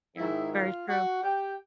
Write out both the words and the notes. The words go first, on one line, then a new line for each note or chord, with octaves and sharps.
Yeah, very true.
G#2 D#3 G#3 E4 E5
F4 F5
F#4 F#5
G4 G5